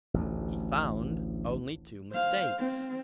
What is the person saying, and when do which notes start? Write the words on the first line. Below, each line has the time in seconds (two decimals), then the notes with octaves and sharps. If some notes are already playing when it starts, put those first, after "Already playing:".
He found only two mistakes.
0.14 A1 D2
2.12 C5 F5
2.59 C4